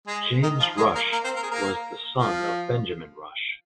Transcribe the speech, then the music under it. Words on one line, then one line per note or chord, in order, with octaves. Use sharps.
James Rush was the son of Benjamin Rush.
G#3 G#4
D#3 D#4
F3 F4
G#3 G#4
A#3 A#4
A#3 A#4
C4 C5
A#4
G#4
A#3 A#4
F3 F4